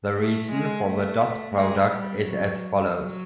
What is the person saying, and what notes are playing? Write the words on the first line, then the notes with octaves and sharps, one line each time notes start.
The reason for the dot product is as follows.
A3
G#3
A3
G#3
G3
F#3
F#3